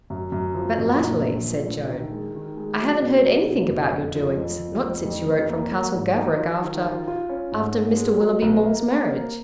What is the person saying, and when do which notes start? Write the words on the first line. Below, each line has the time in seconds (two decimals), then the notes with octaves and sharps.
'But latterly,' said Joan, 'I haven't heard anything about your doings--not since you wrote from Castle Gaverick after--after Mr Willoughby Maule's marriage?'
0.10 F#2
0.32 F#2
0.55 F3
0.78 F#2
1.00 A#2
1.22 A#1
1.44 F3
1.68 A#1
1.89 D#3
2.12 G#3
2.35 D#3
2.57 G#3
2.79 F#3
3.02 B2
3.25 F#3
3.47 B2
3.70 F#1
3.93 F2
4.15 F3
4.37 F2
4.59 F3
4.82 F2
5.05 F2
5.27 F2
5.50 A#3
5.72 A#3
5.94 G#2
6.17 D#4
6.39 F4
6.62 D#3
6.85 F4
7.07 F4
7.29 C#4
7.52 G#2
7.75 C#4
7.97 G#3
8.20 F#3
8.42 B1
8.65 A#3
8.88 A#3
9.09 A#3